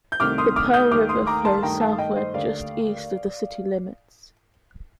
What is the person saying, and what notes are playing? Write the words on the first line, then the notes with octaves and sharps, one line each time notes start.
The Pearl River flows southward just east of the city limits.
G6
C2 C3 D#3 A3 D6 F6
C6 D#6
D6 F6
D#6 G6
D#2 D#3 A3 D6 F6
C6 D#6
A#5 D6
A5 C6
G2 D#3 A3 G5 A#5
F5 A5
D#5 G5
C5 D#5
D#2 D3 A3 D5 F5